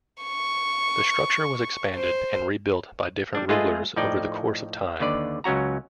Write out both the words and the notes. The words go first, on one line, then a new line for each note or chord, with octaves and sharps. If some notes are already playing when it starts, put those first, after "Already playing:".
The structure was expanded and rebuilt by different rulers over the course of time.
C#6
C5
G3 D4
G#3 A3 F4 G#4 B4 D#5
A2 F3 D#4 D5 G5
D#2 D3 B4 D5
C#2 F#3 C#4 F#4 A#5